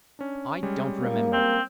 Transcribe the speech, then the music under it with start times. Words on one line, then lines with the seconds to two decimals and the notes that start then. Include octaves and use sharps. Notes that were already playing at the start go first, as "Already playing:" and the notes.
I don't remember....
0.19 C#4 D4
0.63 G3 G#3 C#4
1.02 A#3
1.33 C4